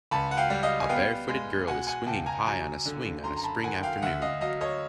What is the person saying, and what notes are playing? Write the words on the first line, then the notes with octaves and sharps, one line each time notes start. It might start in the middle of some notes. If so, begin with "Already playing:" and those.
A barefooted girl is swinging high on a swing on a spring afternoon.
C#2 A5 B5
F#5
F5 G5
G3
D#5 F5
G#5
B3 F5 G5
G#3
B2 F#5 G#5
F#5 G#5
C#2 G5 A5
G#5 A#5
F#3 G#5 A#5
D3
F#2 A#5 C6
A#5
A5 B5
D#3 F#5 G#5
F5 G5
F5
D2 E5 F#5
D#5 F5
F#3 D#5 F5
C#5 D#5